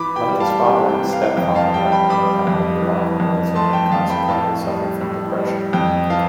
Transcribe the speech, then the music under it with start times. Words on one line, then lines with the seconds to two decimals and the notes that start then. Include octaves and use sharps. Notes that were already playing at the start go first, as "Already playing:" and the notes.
Like his father and stepfather, Hepburn battled with alcoholism and consequently suffered from depression.
Already playing: E3 B5 D6
0.16 G5 B5
0.29 G3
0.40 F5 A5
0.65 C3 G5
0.89 G5
1.01 E3
1.13 F5
1.37 F2 G5
1.55 F5 A5
1.74 G3 G5
1.92 G5 B5
2.10 G3 B5 D6
2.47 F2
2.82 E3
3.20 F2
3.55 A3 A5 C6
3.73 G5
3.91 F2 F5 A5
4.10 G5 B5
4.28 A2 F5 A5
4.65 G3
5.01 A2
5.37 G3
5.73 F2 G5
6.10 E3 F5 A5